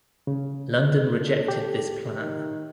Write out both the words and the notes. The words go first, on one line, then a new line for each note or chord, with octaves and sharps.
London rejected this plan.
C#3
A4
G4
D#3